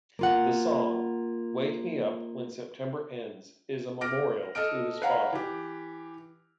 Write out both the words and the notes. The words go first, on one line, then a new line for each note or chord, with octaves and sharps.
The song "Wake Me Up When September Ends" is a memorial to his father.
A#3 F4 F#5
D6 F6 A#6 D7
A4 D#5 F6 D7
B4 C#5 F5 F#5 A#5 B5
E3 G4